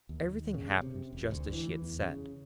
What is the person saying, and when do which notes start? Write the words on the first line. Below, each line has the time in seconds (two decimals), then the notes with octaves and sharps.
Everything happened just as she had said.
0.09 D#2
0.54 C#3
0.81 C3
1.12 E1
1.31 D2
1.53 E3
1.82 E2
2.01 C#3